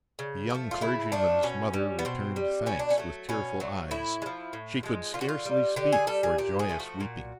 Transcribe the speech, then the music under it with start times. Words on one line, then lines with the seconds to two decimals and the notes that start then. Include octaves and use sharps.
The young clergyman's mother returned thanks with tearful eyes; she could scarcely speak for joyous weeping.
0.19 C#3
0.50 F3 A3
0.71 F4
0.81 C#3 E4
1.12 F3 A3 D4
1.43 B2 C#4
1.73 G3
1.99 B3
2.05 B2 C4
2.36 G3
2.66 B2 C#4
2.79 D4
2.90 C#4
2.98 F#3 A3
3.29 B2 C#4
3.60 F#3 A3
3.91 A2 E4
4.22 G#3
4.26 F3
4.53 A2
4.83 F3 G#3
5.14 D3 F4
5.21 F#4
5.29 F4
5.45 G3
5.76 D3 G4
5.92 G#4
6.07 G3 A4
6.23 G#4
6.38 A#2 G4
6.59 G#4
6.69 F3 A3
6.80 F#4
7.00 A#2